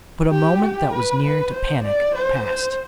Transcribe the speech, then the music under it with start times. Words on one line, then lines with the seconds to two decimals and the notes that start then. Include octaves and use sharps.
But a moment that was near to panic passed.
0.31 G4
0.62 G4
0.93 B4
1.23 B4
1.54 C5
1.85 D5
2.15 C5
2.46 C5